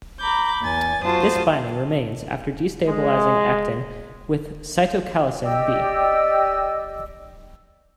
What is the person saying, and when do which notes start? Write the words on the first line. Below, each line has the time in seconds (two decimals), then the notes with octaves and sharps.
This binding remains after destabilizing actin with cytochalasin B.
0.19 A#5 B5 D6 G6
0.61 E2 G#5 A6
1.03 F#2 F4 F#4 C5 A5 D#6
2.86 G#3
5.40 G4 D5 D#5 E6